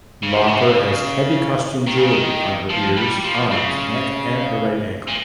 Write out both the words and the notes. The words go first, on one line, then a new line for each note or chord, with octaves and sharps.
Lauper has heavy costume jewelry on her ears, arms, neck and her right ankle.
C#3
C3
C#3
D#3
C#3
D#3
F3
G3
F3
C#3
A#2